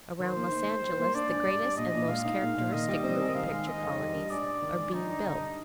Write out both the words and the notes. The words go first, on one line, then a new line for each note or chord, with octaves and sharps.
Around Los Angeles the greatest and most characteristic moving picture colonies are being built.
D#3 C5
A#3
D#4
D#2
G3
A#3
D4 D5
G#2
G3
D4
A#2 D#5
A#2
G#3 F5
D#4
A#2
A#2
D#3 D#5
G3
C4
G#2
D#3 F5
G#3
D#4 D#5
F2
G3
D4
G#2 D5
G#2
D#3
G#3
D4 D#4
G2
D3
G3